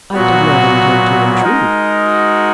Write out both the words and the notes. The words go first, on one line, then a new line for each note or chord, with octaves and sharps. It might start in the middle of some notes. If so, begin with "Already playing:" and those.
"I did not intend to intrude."
A#2 F#3 B3 F#4
G#3 D#4 A#4 D#5
F#4